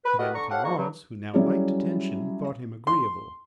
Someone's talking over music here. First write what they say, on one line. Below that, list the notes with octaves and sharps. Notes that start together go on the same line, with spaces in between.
Madame Clarence, who now liked attention, thought him agreeable.
B4
A3 F#4 G4 A#4 B4 D#5
D3 A#5 C#6
G4 A4 C#5 F5 F#5
G#2 A#3 D4 A#5 C#6
G2 F#3
F#3 G3 C#4 E4 G#4 D5
C6